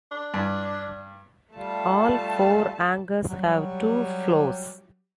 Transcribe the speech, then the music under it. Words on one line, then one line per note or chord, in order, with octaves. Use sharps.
All four anchors have two floors.
D4
G2
G3 A3 F4 A5
F#3 G3 G4